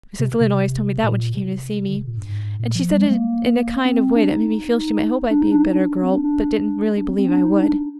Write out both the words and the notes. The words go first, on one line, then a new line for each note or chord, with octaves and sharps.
Mrs. Lynde always told me that when she came to see me; and she said it in a kind of way that made me feel she might hope I'd be a better girl but didn't really believe I would.
C3
C3
A#2
C3
D3
C3
A#2
G2
G#2
A#2
F3
G3
G#3
A#3
C4
D4
D#4
D4
D#4
D4
D#4
D4
C4
D4
D4
D4
C4
C4
D4
D#4
D4